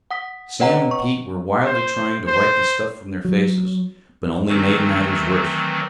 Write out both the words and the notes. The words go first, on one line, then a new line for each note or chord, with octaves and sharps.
Sam and Pete were wildly trying to wipe the stuff from their faces, but only made matters worse.
F#5 D#6 B6
B4 C#5 D#5 F#5 G5 A#5
C#6
C5
C5
F#3
D#3 E3 F#3 A3 C4